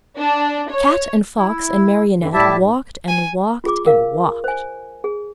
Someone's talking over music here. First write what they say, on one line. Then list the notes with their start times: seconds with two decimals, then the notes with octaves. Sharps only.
Cat and Fox and Marionette walked and walked and walked.
0.18 D4
0.71 C#5
1.36 E4
2.19 F#2 D3 E3
2.33 A2 G3 E4 G4 E5 A5
2.58 G#2
3.08 G#5
3.64 F4 G#4 D6
3.86 A#4 F5
4.44 C5 G#5
5.04 G#4